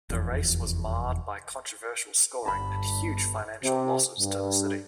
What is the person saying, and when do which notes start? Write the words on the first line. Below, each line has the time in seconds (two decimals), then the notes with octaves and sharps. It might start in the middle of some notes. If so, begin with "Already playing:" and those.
The race was marred by controversial scoring and huge financial losses to the city.
0.10 F1 E2
2.46 G1 G2 A5 B5
3.63 C3
4.19 G2